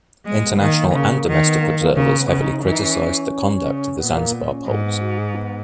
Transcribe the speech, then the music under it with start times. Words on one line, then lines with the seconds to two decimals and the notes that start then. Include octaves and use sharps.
International and domestic observers heavily criticized the conduct of the Zanzibar polls.
0.25 G#3 B3
0.43 B3
0.59 D#3 A#3
0.94 C#3
1.27 D#3 B3
1.44 B3
1.61 A#3
1.79 A#3
1.95 C#3 A#3
2.18 B3
2.30 C#3
2.40 D#4
2.63 E3 C#4
2.71 D#4
2.81 C#4
3.65 C#3
3.99 A#2 B3
4.16 A#3
4.33 B3
4.50 C#4
4.67 G#2 B3
4.83 B3
5.00 F#4
5.18 G#4
5.35 B3